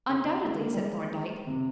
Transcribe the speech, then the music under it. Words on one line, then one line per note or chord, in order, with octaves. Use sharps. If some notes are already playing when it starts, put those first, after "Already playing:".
"Undoubtedly," said Thorndyke.
C#3
G#3
A#3
G3
G#3
C3